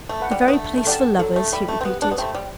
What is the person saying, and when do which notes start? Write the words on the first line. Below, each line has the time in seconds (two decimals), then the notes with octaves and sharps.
"The very place for lovers," he repeated.
0.09 A3
0.20 B4 F#5 B5
0.31 G3
0.48 B3
0.53 A3 D4
0.78 A3
0.86 G3 A4 D5 F#5 A5
1.19 F#3 A4
1.36 A3
1.52 G3 E5 B5
1.68 A3
1.81 C4
1.85 B3 G4
2.02 D4
2.11 B3
2.18 A3 C5 G5 B5
2.34 G3